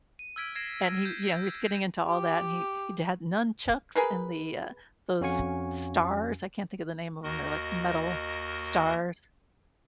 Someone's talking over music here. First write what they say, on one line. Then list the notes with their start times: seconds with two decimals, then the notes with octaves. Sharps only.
and he yeah, he was getting into all that, and he he'd had nunchucks and the, uh, those stars, I can't think of the name of 'em, they're like metal stars.
0.19 D#7
0.36 E6 F6 G#6 B6 D7
0.55 G#6 A#6 C7 D7 E7
1.05 G6 G#6
2.07 G4
3.96 G#4 A#4 B4
5.21 F2 C#4 F#4 F5 G#5 C#6
7.23 D#2 F#4 A#4 D#5